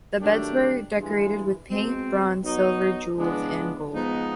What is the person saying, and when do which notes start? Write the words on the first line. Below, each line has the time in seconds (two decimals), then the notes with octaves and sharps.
The beds were decorated with paint, bronze, silver, jewels and gold.
0.20 D#3 F#3 A3 D4 G4
0.95 G2 E3 G#3
1.69 B2 G#3 C4
2.43 F#3 B3 D#4
3.17 C#3 E3 G#3 B3 D4
3.92 F3 G#3 B3 D#4